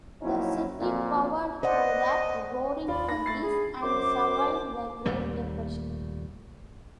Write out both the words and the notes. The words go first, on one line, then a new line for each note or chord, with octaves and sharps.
The city powered through the Roaring Twenties and survived the Great Depression.
A#2 F3 F#3 C#4 D#4 E4
F2 A#2
C5 D5 D#5 F#5
D#2 F4 D5 B5
D#4 A5 A#6
A3 A6 C7
D4 G#4 B5
F#2 C5 D6
D#2 A#2 G3 A3